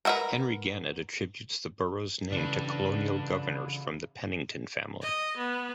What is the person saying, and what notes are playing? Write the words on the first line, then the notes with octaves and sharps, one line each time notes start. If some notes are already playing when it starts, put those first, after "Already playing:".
Henry Gannett attributes the borough's name to colonial governors from the Pennington family.
A#4 B4 E5 F#5 A#5
C#3 E3 D4 B4
D#5
B3